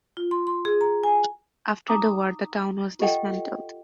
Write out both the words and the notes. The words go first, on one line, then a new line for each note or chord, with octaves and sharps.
After the war, the town was dismantled.
F4
C6
C6
G#4
A#5
G#5
D#4 A#5 D6 D#6
F4 G4 A4 D#5 F#5 G5